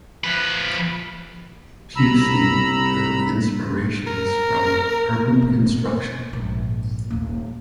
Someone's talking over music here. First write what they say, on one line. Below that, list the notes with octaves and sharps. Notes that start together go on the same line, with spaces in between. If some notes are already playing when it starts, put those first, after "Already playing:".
Pusey drew inspirations from urban construction.
F3 B4
C2 A#5 B5 E6
A#4
A1 C#3
B2
A#1 G#2
D#1 A#3